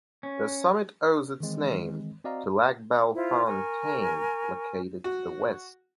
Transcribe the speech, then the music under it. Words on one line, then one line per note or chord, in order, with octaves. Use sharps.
The summit owes its name to Lac Belle Fontaine located to the west.
C#4
D#3 E3 G#3 C4
C4 F#4 D5 D#5 F5 A#5
E4 F4 C5
A#4 G#5 C#6
F#4